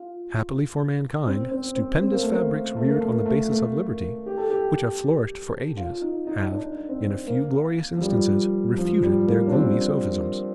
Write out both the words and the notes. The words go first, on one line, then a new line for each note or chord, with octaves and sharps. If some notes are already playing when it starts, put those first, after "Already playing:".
Happily for mankind, stupendous fabrics reared on the basis of liberty, which have flourished for ages, have, in a few glorious instances, refuted their gloomy sophisms.
Already playing: F4
C4
C4
C4
C4
A#3
A3
A#3
A3
A#3
A3
A#3
A3
A3
G4
A4
G4
F4
D#4
D#4
D4
C4
A#3
F3
G3
F3
G3
A#3
D4
C4